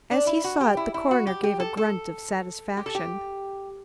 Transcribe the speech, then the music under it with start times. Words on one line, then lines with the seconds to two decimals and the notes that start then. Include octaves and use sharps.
As he saw it the coroner gave a grunt of satisfaction.
0.11 D4
0.27 E4
0.44 F#4
0.61 G4
0.77 E4
0.94 E4
1.11 F#4
1.27 G4
1.43 G4
1.60 A4
1.77 A4
2.77 G4
2.86 A4
2.95 G4